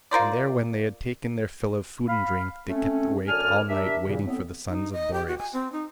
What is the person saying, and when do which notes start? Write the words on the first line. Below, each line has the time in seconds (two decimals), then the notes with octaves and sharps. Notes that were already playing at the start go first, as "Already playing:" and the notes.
And there, when they had taken their fill of food and drink, they kept awake all night waiting for the sons of Boreas.
0.11 F4 A#4 C5 D5
2.09 F5 B5
2.69 A3 C4 C#4
3.28 F#2 D3 D5 G#5 A5 F6
3.68 D4 G4 A#4 E5
4.06 E2 G2 A#2 C#3 E3
4.26 A2 B3 C4
4.68 D#4
4.92 D#5
5.13 G4
5.28 F#4
5.39 G#5
5.53 C4
5.72 D#4